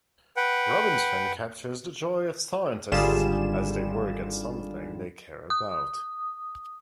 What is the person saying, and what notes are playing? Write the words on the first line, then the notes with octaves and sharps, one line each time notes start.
Robinson captures the joy of scientists as they work at something they care about.
B4 F#5 G5
G#1 D3 G3 F4 G#4 E7
D#6